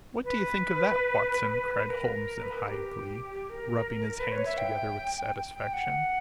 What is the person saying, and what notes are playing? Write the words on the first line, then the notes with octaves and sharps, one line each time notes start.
"What do you think of that, Watson?" cried Holmes in high glee, rubbing his hands together with satisfaction.
B4
A#4
B4
A#4
G4
A#4
B4
C#5
E5
G5
G5
F#5